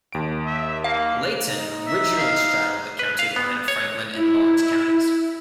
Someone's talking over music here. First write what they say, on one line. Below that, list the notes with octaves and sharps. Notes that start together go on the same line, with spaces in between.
Leighton originally straddled the county line of Franklin and Lawrence Counties.
D#2 D7
E5
A#3 F5
D#4
E5
F5
B4
F5
B3
C#5
E4